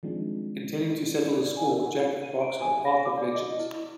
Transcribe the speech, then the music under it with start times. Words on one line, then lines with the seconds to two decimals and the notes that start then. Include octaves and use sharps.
Intending to settle the score, Jack embarks on a path of vengeance.
0.03 D#3 F3 G3 G#3 C4 D4
1.43 D5
1.57 G#5
1.70 A#4
1.86 F#5
2.23 D#7
2.41 D7
2.61 G#5
2.85 A#6
3.05 D6
3.18 D5
3.35 D#5
3.59 E4